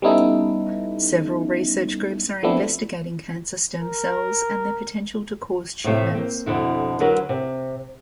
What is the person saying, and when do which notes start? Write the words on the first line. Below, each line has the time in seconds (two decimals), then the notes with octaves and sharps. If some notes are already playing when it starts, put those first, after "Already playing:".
Several research groups are investigating cancer stem cells and their potential to cause tumors.
0.02 G3 B3 C#4 D#4 E4 A4
2.43 F3 A3 B3 C4 D4 E4
3.80 A#4
5.84 A2 C3 A3 F5
6.14 A#3 C4
6.46 F2 B2 D3 E4
7.00 D3 F#3 A#4 B4
7.29 C3